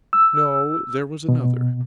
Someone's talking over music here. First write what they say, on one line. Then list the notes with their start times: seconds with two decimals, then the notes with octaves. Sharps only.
'No there was another.
0.13 E6
1.28 B2